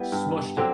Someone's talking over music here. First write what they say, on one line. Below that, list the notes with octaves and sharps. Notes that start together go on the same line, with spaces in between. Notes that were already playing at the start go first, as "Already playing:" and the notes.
smooshed it,
Already playing: G3 B3 E4
G2
D3 F#3 C4